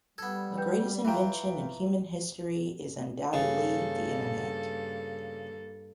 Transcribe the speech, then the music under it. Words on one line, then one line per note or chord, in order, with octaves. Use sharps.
The greatest invention in human history is undoubtedly the internet.
G3 B3 A4 G#6
B4 G5 G6
E3 F3 B4 E5 F5 G5 A#5
G2 C#3 A#3 A4